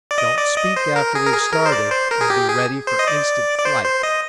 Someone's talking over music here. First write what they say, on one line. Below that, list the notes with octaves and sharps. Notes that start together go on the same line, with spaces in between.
Don't speak after we have started, and be ready for instant flight.
D5
D#5
D5
D#5
C5
A#4
G#4
A#4
G#4
A#4
C5
D5
C5
A#4
G#4
G4
G#4
C5
D#5
D5
D5
C5
C5
D#5